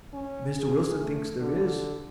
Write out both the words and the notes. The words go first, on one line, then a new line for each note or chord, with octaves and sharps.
Mr. Wilson thinks there is.
C#4
G#4
A3
D3